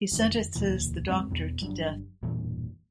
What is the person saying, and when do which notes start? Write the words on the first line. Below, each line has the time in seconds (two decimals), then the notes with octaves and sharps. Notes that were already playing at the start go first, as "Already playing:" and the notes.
He sentences the Doctor to death.
0.11 F1 F#2 D#3
0.55 E1 D2 A#2 E3
1.09 C2 F#2 G#3 C4
1.30 B1 E2 B3
1.61 G1 F#3 G3 D4
2.23 E1 G2 A#2 E3